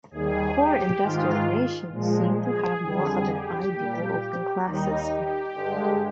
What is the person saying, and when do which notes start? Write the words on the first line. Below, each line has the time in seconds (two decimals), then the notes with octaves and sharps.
Core industrial nations seem to have more of an ideal open class system.
0.11 D#2 D#3 G3 G#4
0.56 G4
1.01 G#2 D#3 G#3 F4
1.92 A#2 F3 G#3
2.38 G#4
2.82 F2 D3 G3 G#4
3.28 G4
3.73 A#2 G3
4.64 D#2 D#3 G3 D#4
5.09 G4
5.55 G2 D3 G#3